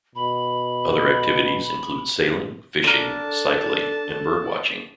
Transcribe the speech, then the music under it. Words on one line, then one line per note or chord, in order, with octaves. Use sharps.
Other activities include sailing, fishing, cycling and bird watching.
B2 B5
D3 D4 A4 A#4 A5